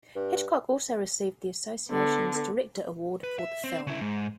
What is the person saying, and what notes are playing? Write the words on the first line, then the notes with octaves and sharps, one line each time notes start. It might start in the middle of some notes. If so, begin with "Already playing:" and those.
Hitchcock also received the Association's Director Award for the film.
G2
D3 B3
B4
E5
C4
C#3 E4
G#2